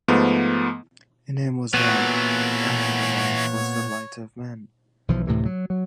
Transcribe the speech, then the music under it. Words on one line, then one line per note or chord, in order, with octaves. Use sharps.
In him was life, and the life was the light of men.
G#2 F3 A3 B3
A#2 E3 A3 B3 F#4 C#5
B1 E3 F3
D2 A2 C3 E3
F#3
F#3